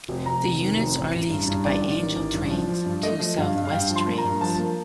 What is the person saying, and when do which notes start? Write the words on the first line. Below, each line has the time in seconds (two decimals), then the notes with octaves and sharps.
The units are leased by Angel Trains to South West Trains.
0.08 F1
0.26 F1 A#5
0.44 F1
0.61 D#3
0.78 F1
0.96 A1
1.13 A1
1.29 G2
1.47 G2
1.64 A1 D5
1.82 A1
1.99 D#3
2.16 A1
2.34 G2
2.51 F3
2.68 F3
2.85 G2
3.03 A3 D#5
3.20 F3
3.38 G2 F5
3.55 G2
3.65 F5
3.71 G2 G5
3.90 F3
3.96 C6
4.07 A#3
4.18 A#5
4.23 G2
4.41 F3 A5
4.59 A#3